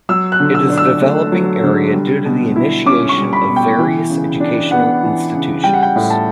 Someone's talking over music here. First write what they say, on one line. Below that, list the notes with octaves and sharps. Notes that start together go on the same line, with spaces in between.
It is a developing area due to the initiation of various educational institutions.
F#3 E6
F#6
D3
E6
D4
E6
A3
F#3
D3
G3
B2
E4
C#4 D6
C#6
G3
B5
B2
G5
E3
C#3
D4
B3 F#5
E3
C#3
G3 G5
F#5
G5
A2
A5